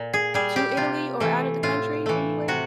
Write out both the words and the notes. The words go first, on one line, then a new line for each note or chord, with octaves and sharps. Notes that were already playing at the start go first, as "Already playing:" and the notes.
to Italy or outta the country, anywhere?
Already playing: A#2
G#4
G3 G#4
G4
C3 F4
E3 A3
A2 F4
E3 A3
C3 F#4